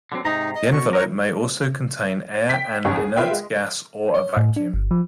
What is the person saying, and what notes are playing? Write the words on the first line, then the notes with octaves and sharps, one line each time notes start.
The envelope may also contain air, an inert gas, or a vacuum.
D3 F#3 C4
G#2 C3 D#4 A#5
D#5
B2 C#6
A#4 C#5
G5 B6
G#1 C#2 F#2 G4 C#5
G#4
F4 B4 E5 F5 G5
G#3
C#5
A2
D4
G1
F3